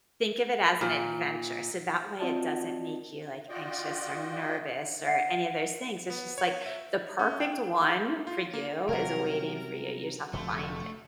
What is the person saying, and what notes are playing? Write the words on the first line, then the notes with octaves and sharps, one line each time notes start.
think of it as an adventure. So that way it doesn't make you like anxious or nervous or any of those things. It's just like the perfect one for you is awaiting for you. You just have to find it.
A#2
C4 F4 F#4 D5 D#5 A5
F4 F#4 D5 D#5 G5
E5 F#5 C7
B3
C#5
E5
C#4
G5
F4
A#3
C3 F#3 G3 C#4 A#4
F1 F2 D3 A3